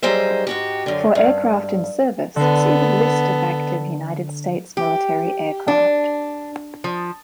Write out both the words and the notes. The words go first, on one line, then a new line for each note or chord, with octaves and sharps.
For aircraft in service, see the List of active United States military aircraft.
F#3 G3 D#4 G#4 C5 E5
G#2 F#4 G4
F#2 D3
G2
D3 B3 A4
G4
D4
F3